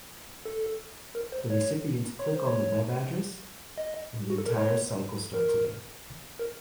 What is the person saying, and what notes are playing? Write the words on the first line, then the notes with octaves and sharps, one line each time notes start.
The recipients click on the web address, and the entire cycle starts again.
A4
A#4
C5
C#5
C#5
C5
C#5
D#5
F#4
A4
A#4
C#5
A#4
A#4